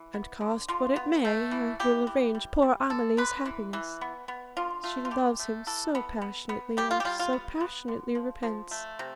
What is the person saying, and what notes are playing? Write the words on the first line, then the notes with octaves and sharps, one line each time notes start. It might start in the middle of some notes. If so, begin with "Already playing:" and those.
And cost what it may, I will arrange poor Amelie's happiness, she loves him so passionately, and so passionately repents.
Already playing: E3
B3
D3
D3 F4
B3
A3
E3
E3 G4
E3
G3
G3
D3 A4
D3 B4
E3
E3
B3
B3
D3 F4
A3 F4
F4
D3 G4
A3
E3 A4
B3
B3
B3
G3 G4
F4
G4
G3 F4
F4
B3
B3
D3
F3
F3
A3
C3